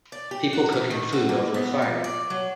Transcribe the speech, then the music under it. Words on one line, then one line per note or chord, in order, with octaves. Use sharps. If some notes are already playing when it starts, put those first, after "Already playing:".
People cooking food over a fire.
D5
G4
F#4
E3
D#3
F#4
A#3
B3
A#2
D5
F#3